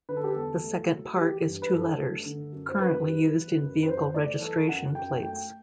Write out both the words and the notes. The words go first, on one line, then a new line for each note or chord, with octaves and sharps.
The second part is two letters, currently used in vehicle registration plates.
D3 B4
A4
G4
E2 A4
A3
F#3
E3 G4
G2
B4
G2 A4
A3
D3
F#2
C5
F#2 B4
G3
E3
F#2
B4
F#2 C5
A3 D5
E3 A4
F#2 F#5
F#2 G5
A3 G5